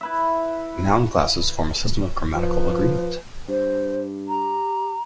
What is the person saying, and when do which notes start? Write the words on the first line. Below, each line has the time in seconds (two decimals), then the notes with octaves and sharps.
Noun classes form a system of grammatical agreement.
0.01 E4 B4 E5
2.35 F3 B4
3.49 G2 C5
4.28 G4 A#5